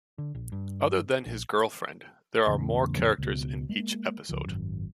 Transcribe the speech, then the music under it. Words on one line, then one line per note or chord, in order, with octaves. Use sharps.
Other than his girlfriend there are more characters in each episode.
D3
A#1
G2
A#1
E2 A2 C#3
C#2 B2
G#3 A#3
C#2 F3
G#1 F#2